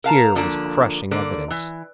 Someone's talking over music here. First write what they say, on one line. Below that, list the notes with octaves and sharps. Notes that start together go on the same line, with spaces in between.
Here was crushing evidence.
A#4 F5 A5 A#5
D3 F3 A#3 D4
D3 A#3 D5
E3